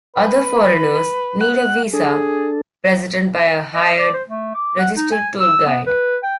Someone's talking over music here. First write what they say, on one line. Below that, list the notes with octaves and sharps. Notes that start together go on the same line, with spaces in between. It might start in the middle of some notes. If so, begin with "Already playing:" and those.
Other foreigners need a visa presented by a hired registered tour guide.
B4
F#5 F#6
D4 G#4 A4
D#5
D5
C5
A3
D6
F#5
D#4
G#5
E6
B3
B4
G5